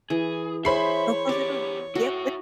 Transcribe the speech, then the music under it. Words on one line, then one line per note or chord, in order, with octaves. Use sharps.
Ye "Go close that door." Yep.
E3 G#4
G#4 C5 C#5 E5 B5 C7
B3 G4 D5
E4 F#4 C#5